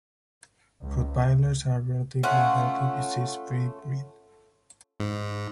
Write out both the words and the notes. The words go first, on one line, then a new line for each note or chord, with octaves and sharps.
Rottweilers are a relatively healthy, disease-free breed.
C#2
A3 C#4 F4 F#5
G#2